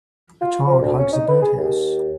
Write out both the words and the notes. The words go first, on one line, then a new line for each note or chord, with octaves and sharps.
A child hugs a birdhouse.
F4
F3
D2
C#4
D#4
B4
G#4
D#2